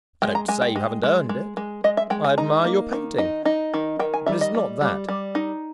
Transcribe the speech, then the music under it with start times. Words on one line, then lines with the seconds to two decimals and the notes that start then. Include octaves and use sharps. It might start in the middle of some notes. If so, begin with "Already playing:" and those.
I don't say you haven't earned it; I admire your painting; but it's not that.
0.22 G#3 G5
0.35 A#5
0.48 G#3 G#5
0.62 G5
0.76 G#3
1.03 G#3
1.29 G#3
1.57 G#3
1.84 G#3 D#5
1.97 E5
2.10 G#3 G5
2.24 G#5
2.38 D#4 A#5
2.65 A#3
2.93 D#3
3.18 D#4
3.45 D#4
3.74 D#3
3.99 D#3 G5
4.14 G#5
4.26 G3 E5
4.41 D#5
4.55 G3
4.81 G3
5.09 G3
5.35 D#4